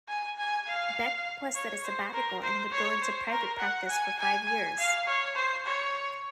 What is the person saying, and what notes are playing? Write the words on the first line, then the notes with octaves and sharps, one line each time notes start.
Beck requested a sabbatical and would go into private practice for five years.
G#5
G#5
F5
C#5
C5
A#4
C5
C#5
C5
A#4
F#5
G#5
G#5
G#5
F5
C#5
C5
C#5